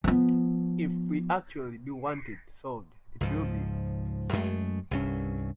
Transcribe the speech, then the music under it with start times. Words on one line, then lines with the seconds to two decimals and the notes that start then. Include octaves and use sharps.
If we actually do want it solved, it will be.
0.04 F3 B3
3.21 C#2 G#2 F3
4.33 F#2 G#3 A3
4.91 C2 G2 C#4